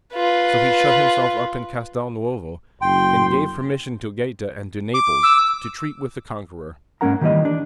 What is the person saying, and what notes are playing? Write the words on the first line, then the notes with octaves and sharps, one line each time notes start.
So he shut himself up in Castel Nuovo and gave permission to Gaeta and to Naples to treat with the conqueror.
F4 B4
F#1 G5 C6
D6
E6
G#2 A#3 C#4 A#4 F#5 A#5
D#3 E3 G3 A3 A#3 D#5
D4